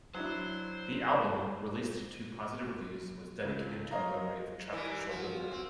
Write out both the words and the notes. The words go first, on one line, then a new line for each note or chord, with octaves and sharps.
The album, released to positive reviews, was dedicated to the memory of Chuck Schuldiner.
F#3 D4 E4 C5
C#2
A#4 C5 C#5 D#5 F5 A#5
E3 G3 E4 A#4 D6
F3 F#4
C4